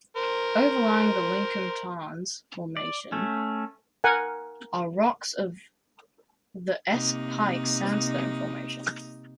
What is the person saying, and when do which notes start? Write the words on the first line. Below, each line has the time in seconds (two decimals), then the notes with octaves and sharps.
Overlying the Lincomb Tarns Formation are rocks of the Esk Pike Sandstone Formation.
0.16 A#4 C5
2.77 D5
3.12 A3 C#4
4.04 A#4 F#5 G#5
6.91 C3 A#3 D#4